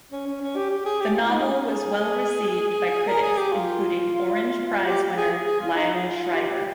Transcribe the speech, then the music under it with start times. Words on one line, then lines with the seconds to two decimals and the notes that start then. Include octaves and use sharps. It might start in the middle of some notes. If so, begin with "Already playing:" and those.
The novel was well received by critics including Orange Prize winner Lionel Shriver.
0.12 C#4
0.27 C#4
0.42 C#4
0.56 G4
0.71 G4
0.86 G#4
1.00 G4
1.15 F4
1.29 D#4
1.50 C#4
1.70 G#4
3.08 A#4
3.22 G#4
3.37 G4
3.52 F4
4.85 G4
5.15 G#4
5.44 G#4
5.60 F4
5.74 D#4
6.04 F4
6.33 G4